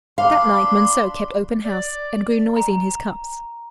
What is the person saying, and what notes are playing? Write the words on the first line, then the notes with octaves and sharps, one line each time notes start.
That night Monceux kept open house and grew noisy in his cups.
D4 F5 B5 C6
D5
A#5